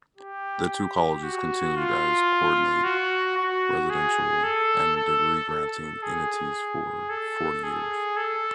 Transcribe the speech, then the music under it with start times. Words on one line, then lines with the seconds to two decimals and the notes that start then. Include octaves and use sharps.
The two colleges continued as coordinate residential and degree-granting entities for forty years.
0.17 G4
1.23 F#4
1.76 F4
2.84 F#4
3.37 F#4
3.90 G#4
4.43 A4
4.96 A4
5.50 A4
6.03 G#4
7.09 A4
7.63 G#4
8.17 A4